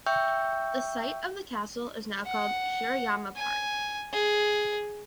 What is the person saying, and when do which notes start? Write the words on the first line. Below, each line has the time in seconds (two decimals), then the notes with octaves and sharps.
The site of the castle is now called Shiroyama Park.
0.06 E5 G5 C#6 E6 G6
2.26 F#5
3.36 G#5
4.13 G#4